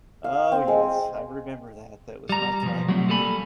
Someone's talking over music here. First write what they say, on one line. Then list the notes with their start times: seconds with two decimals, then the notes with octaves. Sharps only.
Oh, yes, I remember that, that was my time.
0.24 F5
0.52 C4
0.68 G#3
2.29 G3 A#5
2.63 B2 F3
2.88 F#3 G3 A3 C4
3.08 G3 A#3 A4 G#5 B5